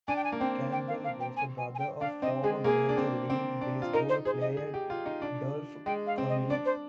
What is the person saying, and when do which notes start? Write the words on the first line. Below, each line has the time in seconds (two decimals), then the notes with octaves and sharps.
Campbell was the brother of former Major League Baseball player Dolph Camilli.
0.08 D4 G#5
0.16 G5
0.24 G#5
0.32 A#3
0.40 C4 G5
0.72 G5
0.88 F5
1.04 F5
1.20 G5
1.37 G#5
1.58 G#5
1.75 G#5
1.79 G5
2.00 D4 F5
2.22 C4 D#5
2.43 G#3 G#4
2.64 A#3 G#4
2.89 D4
2.97 C4
3.30 C4
3.61 D4
3.82 F4
3.93 D#4 A#4
4.09 C5
4.25 G#4 C5
4.41 D#5
4.57 G#4
4.74 G4
4.90 F4
5.06 D#4
5.22 D4
5.86 G#3 G5
6.07 F5
6.18 C4
6.29 D#5
6.50 D4 D5
6.66 C5